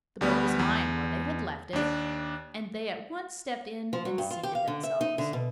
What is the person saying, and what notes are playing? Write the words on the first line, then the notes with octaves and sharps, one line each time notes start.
The boat was lying where they had left it, and they at once stepped in and seated themselves.
D2 G3 B3
E2
D#2 D4
F3
F#3
G2
F4
G4
F5
D3
E5
D#4
D3
B2